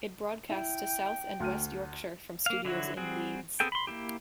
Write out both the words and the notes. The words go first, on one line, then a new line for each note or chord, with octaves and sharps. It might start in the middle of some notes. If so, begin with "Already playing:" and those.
It broadcasts to South and West Yorkshire from studios in Leeds.
E4 G5
D2 F6 D#7
A#3 F5
D3 F#3 E4 F#4
G3 C4 F#4 G#4
B3 C4 G#4 A4 G5
B5 C6
A#3 C#4 E4 G4